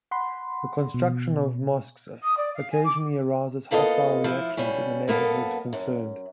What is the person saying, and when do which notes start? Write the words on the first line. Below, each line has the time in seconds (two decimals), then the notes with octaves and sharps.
The construction of mosques occasionally arouses hostile reactions in the neighbourhoods concerned.
0.11 F#5 B5 C6
0.94 B2
2.23 D#6
2.37 D5
2.55 F5
2.71 G#5
2.85 D6
3.71 A#3 B3 F4 A4 C5 D#5
4.24 F3 E4
4.57 B2 G3 C#4
5.08 F#2 A#3 B3 F4 A4
5.73 F#2